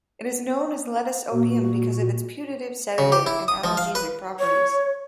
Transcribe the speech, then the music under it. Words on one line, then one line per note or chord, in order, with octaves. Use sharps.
It is known as lettuce opium because of its putative sedative and analgesic properties.
A#2 F#4
C#3
G4
E4
D#6
F3
F5
B4
C#5